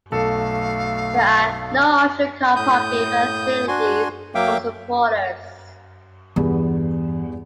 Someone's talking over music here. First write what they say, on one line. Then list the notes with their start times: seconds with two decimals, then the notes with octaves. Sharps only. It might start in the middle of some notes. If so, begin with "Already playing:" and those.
There are no official car parking facilities for supporters.
0.12 B1 A3 A4 F5
2.56 A2 D#6 G6
3.68 D4 F#4 G#5 C6
4.35 F#3 A#3 E5 F5 G5 D6
6.36 E2 G2 E3 B3